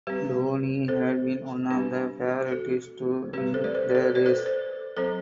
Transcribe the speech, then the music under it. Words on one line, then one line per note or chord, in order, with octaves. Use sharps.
Dooney had been one of the favourites to win the race.
G3 C4 G4 B4
A4 C5
G3 B3 D4 G4 B4
F#4 A4
G3 C4 G4 B4
A4 C5
B4 D5
A4 C5
D5
A4 C5
B4 D5
A4 C5
A4 C5
F#3 C4 A4 C5